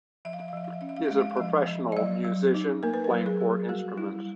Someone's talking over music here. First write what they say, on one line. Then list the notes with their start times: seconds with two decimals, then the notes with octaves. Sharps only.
He is a professional musician, playing four instruments.
0.25 F3 E5
0.33 F5
0.40 E5
0.48 F5
0.53 F3 E5
0.64 F5
0.73 E5
0.81 C#4 F5
0.89 E5
0.96 F5
1.06 E5
1.11 G#3 F5
1.21 E5
1.30 F5
1.37 F3 E5
1.68 F3
1.92 D5
1.96 F#3 D#5
2.25 F#3
2.55 D#4
2.83 A#3 A#4
2.94 B4
3.04 A#4
3.11 F#3
3.26 G#4
3.41 F#3
3.69 G3 F#4
3.97 G3 E4